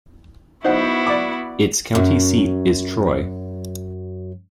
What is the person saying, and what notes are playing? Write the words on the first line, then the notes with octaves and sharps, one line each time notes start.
Its county seat is Troy.
B3 D#4 E4 F#4 C5 F#5
D5 D6
F#2 F#3